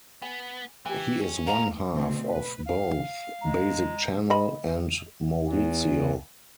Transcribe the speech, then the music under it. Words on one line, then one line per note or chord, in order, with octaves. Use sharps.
He is one half of both Basic Channel and Maurizio.
B3 G#5
E3 G4 G#5
C#4
D#5 F5 A#5
D2 B2 A3 C4
B4
F5
G#3 A#5
D#5 B5
E2